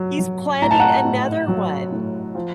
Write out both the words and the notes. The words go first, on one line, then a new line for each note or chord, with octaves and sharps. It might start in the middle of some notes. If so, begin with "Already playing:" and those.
he's planning another one!
Already playing: F#3
F#3
A2 A#5
A5
F#5 A#5
A2
F#3
A2
F3